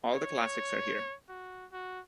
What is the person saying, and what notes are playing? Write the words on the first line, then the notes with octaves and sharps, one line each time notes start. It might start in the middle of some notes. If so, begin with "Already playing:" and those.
All the classics are here.
C#5
F#4
F#4